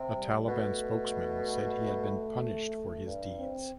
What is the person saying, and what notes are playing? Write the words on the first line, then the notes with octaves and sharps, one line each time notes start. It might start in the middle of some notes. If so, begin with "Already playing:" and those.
A Taliban spokesman said he had been "punished for his deeds".
Already playing: C3
G3
B2 A3
A3
G2
C4